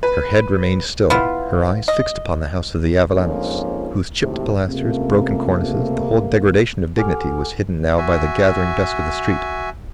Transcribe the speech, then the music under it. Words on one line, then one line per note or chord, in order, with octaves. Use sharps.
Her head remained still, her eyes fixed upon the house of the Avellanos, whose chipped pilasters, broken cornices, the whole degradation of dignity was hidden now by the gathering dusk of the street.
B4
B3 E4 F4
D#5
A#1 F2 G#2 F3 A#3 C#4
G#1 D#2 A2 C3
C#2 C3 A3 A#3
G4 A4 F#5 G#5 D6 F6
F#4 E5 G#5